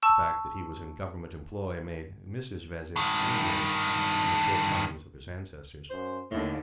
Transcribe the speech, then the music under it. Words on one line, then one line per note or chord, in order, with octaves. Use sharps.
The fact that he was in Government employ made Mrs. Vezzis lenient to the shortcomings of his ancestors.
A5 C#6 E6
G2 D#3
F#2 C5
D#2 A2 D3